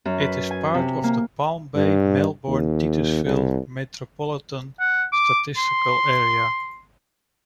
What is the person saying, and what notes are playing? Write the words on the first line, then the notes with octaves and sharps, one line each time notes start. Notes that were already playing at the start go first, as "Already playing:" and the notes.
It is part of the Palm Bay-Melbourne-Titusville Metropolitan Statistical Area.
F#2
B4
G#5
C3
A#3
G2
D#2
C2
F#5
D6
C6